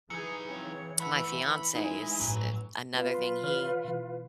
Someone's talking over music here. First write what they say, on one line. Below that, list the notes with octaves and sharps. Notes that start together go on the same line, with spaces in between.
my fiancé is i another thing. He
E3 F#3 D#4 G#4 C#7
C#3 C4 C#5
A3 F#5 A5 B5 E6
G#3 D#4 E4 G#5
A1 G2 F#3
B3 F4 B4 F5
F#3 C6
E3 C#5 F6
B2 E3